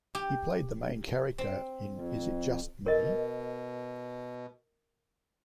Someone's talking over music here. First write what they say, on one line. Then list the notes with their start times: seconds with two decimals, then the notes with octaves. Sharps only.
He played the main character in Is It Just Me?
0.15 G4
1.38 C4
1.91 F2
2.86 B2 A#4 D#5